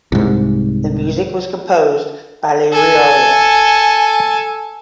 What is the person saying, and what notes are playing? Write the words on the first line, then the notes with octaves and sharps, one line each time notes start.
The music was composed by Ilaiyaraaja.
C2 G#2
A4 G#5